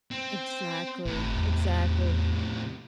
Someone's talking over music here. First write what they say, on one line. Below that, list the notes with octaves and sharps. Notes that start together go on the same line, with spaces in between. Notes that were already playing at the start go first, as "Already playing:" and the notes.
Exactly, exactly.
C4
G1 A2 C3
E2